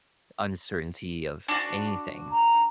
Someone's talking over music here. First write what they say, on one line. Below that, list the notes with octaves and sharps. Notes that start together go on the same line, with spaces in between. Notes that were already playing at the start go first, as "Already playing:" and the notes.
uncertainty of anything
D4 F#4
A#5